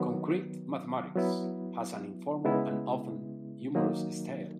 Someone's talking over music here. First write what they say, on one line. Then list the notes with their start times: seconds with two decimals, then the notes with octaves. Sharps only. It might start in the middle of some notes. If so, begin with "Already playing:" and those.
"Concrete Mathematics" has an informal and often humorous style.
Already playing: D#3 F#3 B3
1.16 F#3 B3 E4
2.45 C#3 G#3 B3 E4
3.75 D#3 F#3 A#3 D#4